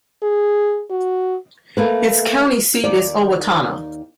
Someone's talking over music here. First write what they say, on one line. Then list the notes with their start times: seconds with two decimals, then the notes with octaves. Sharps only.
Its county seat is Owatonna.
0.23 G#4
0.91 F#4
1.77 A3 A#3 B4
2.83 D#2 D#3 D5